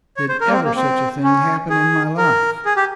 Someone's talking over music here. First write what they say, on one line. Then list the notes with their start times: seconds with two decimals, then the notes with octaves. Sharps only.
Did ever such a thing happen in my life?
0.17 C#5
0.29 C5
0.41 A#4
0.48 A#3
0.52 C4
0.64 A#3
0.76 C4
1.23 C#4
1.70 G#4
2.17 A#4
2.65 G#4
2.76 G4